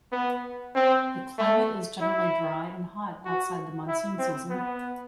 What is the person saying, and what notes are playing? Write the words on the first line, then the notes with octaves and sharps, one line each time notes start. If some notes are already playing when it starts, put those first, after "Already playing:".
The climate is generally dry and hot outside of the monsoon season.
B3
C4
A3
E4
F#4
E4
C4
B3